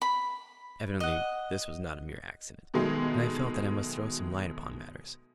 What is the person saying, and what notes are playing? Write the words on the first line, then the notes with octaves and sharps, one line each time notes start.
Evidently this was not mere accident, and I felt that I must throw some light upon matters.
B5
D#5 F#5
B2 D#3 F#3 G#3 A3